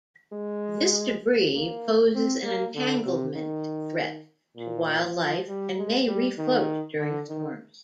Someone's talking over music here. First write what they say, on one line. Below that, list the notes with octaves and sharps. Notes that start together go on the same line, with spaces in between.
This debris poses an entanglement threat to wildlife and may refloat during storms.
G#3
A#3
C4
A#3
D3
C3
D#3
A#2
F3
G3
G#3
G3
D#3
D3
D#3